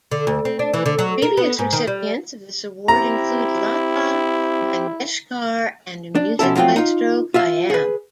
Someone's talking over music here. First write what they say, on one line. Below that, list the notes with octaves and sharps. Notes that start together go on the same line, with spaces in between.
Previous recipients of this award include Lata Mangeshkar and Music Maestro Khayam.
D3
D2
C4
D4
E3
D3
F#3
A#4
B3
G#2
D#3
G3
C4 E4 G4 A#5
D4
B2 F3 C#4 E4 A4
F3 F#3 C4 F4 G5
D#4 F4
F4 E5 F5
G#4 B4